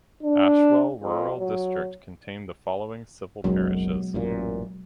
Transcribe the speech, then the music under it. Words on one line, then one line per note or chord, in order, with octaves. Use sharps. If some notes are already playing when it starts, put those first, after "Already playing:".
Ashwell Rural District contained the following civil parishes.
D4
F2
F#3
F#1 B1 F#2 B2 F#3 G#3
A1 F#2 A#2